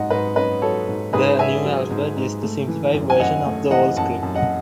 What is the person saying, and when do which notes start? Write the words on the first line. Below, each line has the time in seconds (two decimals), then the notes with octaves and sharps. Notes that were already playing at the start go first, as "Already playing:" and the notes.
The new alphabet is a simplified version of the old script.
Already playing: G#2 F#3 D#5 F#5
0.10 G#2 B4 D#5
0.36 C#4 B4 D#5
0.62 F#3 A4 C#5
0.88 G#2
1.13 G#2 G#4 B4
1.39 C#4 E5 G#5
1.64 F#3
1.90 G#2
2.16 G#2
2.42 A3
2.68 E3
2.94 F#2
3.10 G#5
3.19 F#2 D#5 F#5
3.45 A3
3.71 E3 D#5 F#5
3.96 F#2 F#5 A5
4.22 F#2
4.35 D#5 F#5